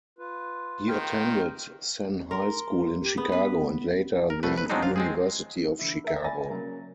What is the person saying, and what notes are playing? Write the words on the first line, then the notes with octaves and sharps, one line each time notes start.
He attended Senn High School in Chicago and later the University of Chicago.
F4 B4
D#3 F5 G5
A#4 C6
G4
B3 G#4
B3 B4
A#4
C2 A3 B4
B4
F3 F#3 G#3 C4 D4 D#4
F4 F5
G#3 C4 G#4
D3 E3 E4
A#4 E5
D5 G#5 B5 A6 A#6
C#3 F#3 A#3